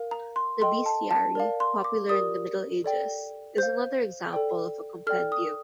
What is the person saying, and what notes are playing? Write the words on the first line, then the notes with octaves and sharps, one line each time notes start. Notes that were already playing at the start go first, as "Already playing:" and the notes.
The bestiary, popular in the Middle Ages, is another example of a compendium.
Already playing: A#4 F5
A#5
C6
A4 D#5 G5 C6
A5
A5
A#4 D5 F5
C6
D6
G4 A#4 D5 D#6
A4 D5 G5
C5 F5 G6
A4 D5 G5
A4 D5 G5 F6
D#6